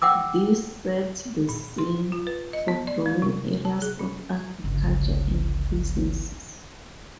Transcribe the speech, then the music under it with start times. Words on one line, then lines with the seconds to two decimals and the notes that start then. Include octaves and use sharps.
This set the scene for growing areas of agriculture and businesses.
0.02 F#5 G5 D6 E6
1.49 A#2
1.78 C6
2.12 F4
2.27 B4
2.53 D#5
2.68 B3
2.87 D5
3.06 G#3
3.22 C3
3.65 A5
3.82 G#4
3.99 C#4
4.64 G1 C#2